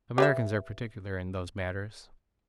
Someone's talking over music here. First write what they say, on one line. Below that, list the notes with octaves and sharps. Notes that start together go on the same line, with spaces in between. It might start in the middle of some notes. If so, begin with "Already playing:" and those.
Americans are particular in those matters.
G4 B4 E5